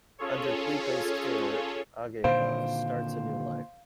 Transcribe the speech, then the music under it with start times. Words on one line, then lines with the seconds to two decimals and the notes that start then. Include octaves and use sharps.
Under Glico's care, Ageha starts a new life.
0.18 C#4 F4 G#4 A4 C#5
2.24 A#2 D3 D#3 C5 F5